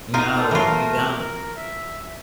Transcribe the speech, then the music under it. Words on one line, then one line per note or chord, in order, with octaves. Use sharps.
No, you don't.
D#4 F4 A#4
A4 C5
E3 F#3 A3 F4 A#4
A#4
E5